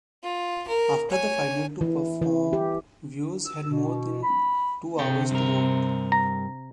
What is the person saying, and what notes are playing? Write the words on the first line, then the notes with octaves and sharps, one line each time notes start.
After the final two perform, viewers had more than two hours to vote.
F4
A#4
C#5 G#5
E3
E3
G4
E6
B2
B5
C3 A4 G5
G2 A#4
A#5